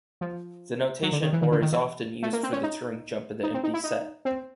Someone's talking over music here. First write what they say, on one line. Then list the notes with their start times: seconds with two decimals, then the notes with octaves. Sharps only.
The notation or is often used for the Turing jump of the empty set.
0.21 F3
1.02 F#3
1.12 D3
1.22 D#3
1.33 E3
1.42 D#3
1.52 D3
1.62 D#3
1.72 E3
2.23 A3
2.33 A#3
2.43 C4
2.53 C#4
2.63 D#4
3.43 D#4
3.54 C4
3.64 D#4
3.74 E4
3.84 D#4
4.25 C4